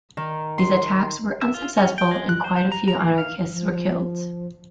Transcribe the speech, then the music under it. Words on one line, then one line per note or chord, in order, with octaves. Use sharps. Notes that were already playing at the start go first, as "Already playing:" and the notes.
These attacks were unsuccessful and quite a few anarchists were killed.
D#3
C6
E5
F4
C#4
G5
G#3
F#6
C5
C5
A#5
A#5
A#3
F5
F3